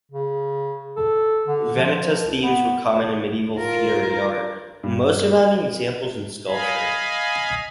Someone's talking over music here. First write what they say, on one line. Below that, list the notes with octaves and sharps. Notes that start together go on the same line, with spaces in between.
Vanitas themes were common in medieval funerary art, with most surviving examples in sculpture.
C#3
A4
D3
F3
C#2
B3
F4 A#4
G2
D#5 F5 G#5 B5